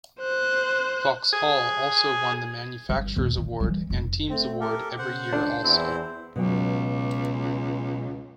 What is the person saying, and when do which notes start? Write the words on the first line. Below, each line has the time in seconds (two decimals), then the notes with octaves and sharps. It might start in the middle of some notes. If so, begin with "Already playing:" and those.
Vauxhall also won the Manufacturers Award and Teams Award every year also.
0.20 C5 F#6
1.33 G#4
2.89 G1
3.16 D#2 A#2
3.37 D#3
3.60 E3 G3
3.90 F1
4.29 A3 C4
4.61 G4 A4 A#4
4.98 C#3 C5 F#5
5.33 C#2 D4
5.63 E2 C4 E4
6.36 C#2 B2 F#3 G5